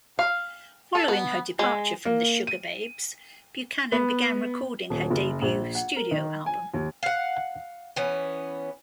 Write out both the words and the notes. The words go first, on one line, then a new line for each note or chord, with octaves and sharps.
Following her departure from the Sugababes, Buchanan began recording her debut studio album.
F5
A4
B3
G#3
A#3
D#7
B3
D#1
F#1
A#1
F#5
A#4
D#3
G#5
D#2
F5 F#5
E3 B3 C#4